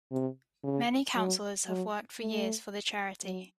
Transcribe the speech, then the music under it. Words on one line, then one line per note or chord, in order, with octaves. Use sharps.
Many counsellors have worked for years for the charity.
C3
C#3
F#3
F#3
A3
F#3